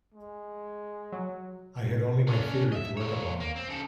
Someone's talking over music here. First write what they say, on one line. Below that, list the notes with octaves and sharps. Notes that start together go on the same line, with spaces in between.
I had only my theory to work upon.
G#3
F#3
C#4 D4
D#5 E5
A#2 C#5
A#3
C4
C#3 A4